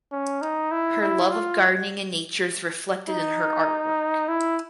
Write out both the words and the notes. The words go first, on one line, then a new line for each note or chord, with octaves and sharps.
Her love of gardening and nature is reflected in her artwork.
C#4
D#4
E4
E4
F4
D#4
E4